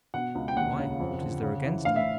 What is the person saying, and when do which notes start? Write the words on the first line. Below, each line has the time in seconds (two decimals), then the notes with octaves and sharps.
"Why, what is there against him?"
0.14 B2 F#5
0.35 C#2
0.48 G5
0.57 D#2 F#5
0.78 C#3
1.00 F2
1.21 D3
1.42 C#3
1.64 E3
1.85 A2 F5
1.96 E5